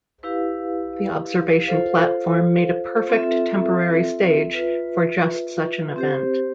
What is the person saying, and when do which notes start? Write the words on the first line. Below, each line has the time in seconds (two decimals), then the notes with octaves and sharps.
The observation platform made a perfect temporary stage for just such an event.
0.23 E4 G4 B4 F5
1.67 F4 A4 C5 F5
3.09 C4 F4 A4 E5
4.54 F4 B4 E5
5.96 C4 G4 C5